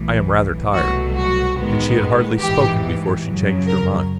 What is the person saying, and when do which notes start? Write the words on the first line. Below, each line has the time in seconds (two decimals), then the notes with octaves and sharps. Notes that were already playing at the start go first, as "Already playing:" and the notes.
"I am rather tired." And she had hardly spoken before she changed her mind.
Already playing: B1 A2 E3
0.73 C2 B2 F#3 A3 F#4
1.15 F#4
1.57 A1 G#2 D#3 G#3 B3
2.40 A1 G#2 E3 G4
3.24 F#2 C#3 F#3
3.66 A#4